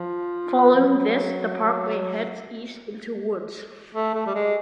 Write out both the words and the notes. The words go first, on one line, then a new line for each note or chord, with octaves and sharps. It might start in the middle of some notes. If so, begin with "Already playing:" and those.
Following this, the parkway heads east into woods.
Already playing: F3
F#3
A3
A3
G3
G#3